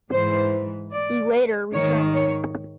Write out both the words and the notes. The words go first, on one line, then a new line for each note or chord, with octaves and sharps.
He later returned.
G#2 E3 C5
D5
G#2 D#3 C#5
C#5